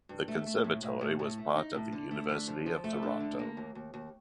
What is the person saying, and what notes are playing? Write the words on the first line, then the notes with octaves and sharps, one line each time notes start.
The Conservatory was part of the University of Toronto.
G2
A3
A3
A2
A2
A2
A2
A3
D#4
A2
D3
A3
D3
F3
F3
A3
D4
D3
A#3
D#2
D#2
D#2